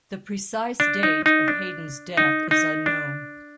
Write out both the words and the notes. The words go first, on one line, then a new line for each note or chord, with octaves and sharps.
The precise date of Heydon's death is unknown.
D4
D#4
D#4
D4
D#4
D#4
D4